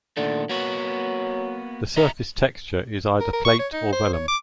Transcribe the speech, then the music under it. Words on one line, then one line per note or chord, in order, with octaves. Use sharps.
The surface texture is either plate or vellum.
A#2 D3 D#3 A3
F#3 A#3 B3 F#4
D#5 E5 A#5
A#4
A#4
C#6
C#5
D#4
C5
C#5
D6